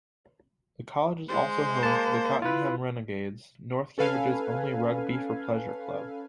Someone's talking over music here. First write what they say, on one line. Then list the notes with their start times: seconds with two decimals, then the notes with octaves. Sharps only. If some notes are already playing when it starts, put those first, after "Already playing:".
The college is also home to the Cottenham Renegades, north Cambridge's only rugby-for-pleasure club.
1.28 G#3 C5
1.83 A#3 A5
2.42 E4 F4 B4
3.98 C#4 A4 B4 F5 G#5